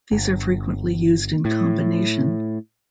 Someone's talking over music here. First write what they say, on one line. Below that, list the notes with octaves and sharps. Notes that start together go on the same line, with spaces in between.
These are frequently used in combination.
G1
A2